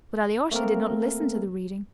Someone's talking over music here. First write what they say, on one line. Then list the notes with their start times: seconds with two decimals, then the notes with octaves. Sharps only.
But Alyosha did not listen to the reading.
0.51 A3 A#3 C4 A4 A#4